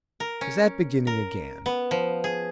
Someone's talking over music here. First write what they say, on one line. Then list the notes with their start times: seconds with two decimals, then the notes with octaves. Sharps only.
Is that beginning again?'
0.20 A#4
0.41 C#4
1.07 A#4
1.66 B3
1.91 F3
2.24 G#4